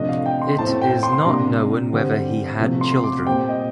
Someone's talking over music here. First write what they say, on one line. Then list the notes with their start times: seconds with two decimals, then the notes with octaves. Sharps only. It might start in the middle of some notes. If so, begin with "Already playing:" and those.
It is not known whether he had children.
Already playing: C3 F3 A3 D4 D#5
0.09 F5
0.26 G5
0.42 C6
0.58 A2 A3 C4 A5
0.81 G5
1.03 C6
1.25 C3 G3 A#3 D4 A#5
1.92 D3 G3 C4
2.59 C3 F3 A3
2.81 C6
3.03 D6
3.25 A#2 G3 C4 G5
3.49 D#5